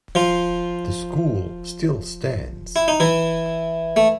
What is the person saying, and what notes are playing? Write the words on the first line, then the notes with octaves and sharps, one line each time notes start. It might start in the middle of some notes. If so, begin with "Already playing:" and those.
The school still stands.
F3 F4
E4
D#4
E3 E4
A3